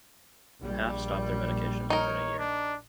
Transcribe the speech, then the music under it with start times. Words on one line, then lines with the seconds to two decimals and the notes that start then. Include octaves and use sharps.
Half stop their medications within a year.
0.60 A#1 G3
1.90 D#4 A#4 C#5
2.39 D4